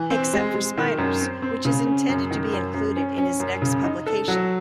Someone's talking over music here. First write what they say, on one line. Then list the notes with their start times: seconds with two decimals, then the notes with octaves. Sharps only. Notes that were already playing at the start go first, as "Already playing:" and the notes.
Except for Spinors, which is intended to be included in his next publication.
Already playing: E3
0.10 C4
0.34 G#3
0.54 G#3
0.77 D#3
0.98 F#2
1.21 C4
1.42 C4
1.65 C#3
1.86 C#4
2.09 F#2
2.31 D#3
2.53 F#2
2.74 F#2
2.96 C#4
3.18 C#4
3.40 F#2
3.62 C#3
3.84 D#4
4.06 A4
4.28 F#3